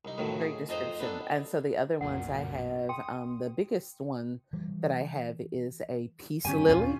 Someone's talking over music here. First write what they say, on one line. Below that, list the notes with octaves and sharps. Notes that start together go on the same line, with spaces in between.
Great description. And so the other ones I have, um, the biggest one that I have is a peace lily,
C2 D#4
D2 A2 D#3 F3 F#3
G#4
F2 D#4 C5 D#5 A#5
B3 D4 D#4 A4
B1 F#2 A#2 F#5
G5 C6 D#6
E3 G3
G2 D3 C#4 G4 G#5
D#2 A#2 C#4 F4